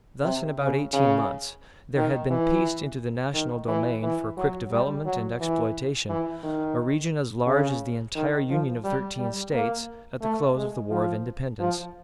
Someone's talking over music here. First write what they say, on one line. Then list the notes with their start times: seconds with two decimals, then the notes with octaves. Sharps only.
Thus in about eighteen months there had been pieced into the national domain for quick development and exploitation a region as large as the entire Union of Thirteen States at the close of the War of Independence.
0.23 C3
0.59 C#3
0.93 C#3
1.96 D#3
2.30 E3
3.34 D#3
3.68 E3
4.03 E3
4.37 F#3
4.71 G3
5.05 F#3
5.40 E3
6.09 E3
6.43 D#3
7.46 C#3
8.15 D#3
8.50 F3
8.84 G3
9.19 G3
9.53 A#3
10.22 A3
10.56 G#3
10.90 F3
11.60 F3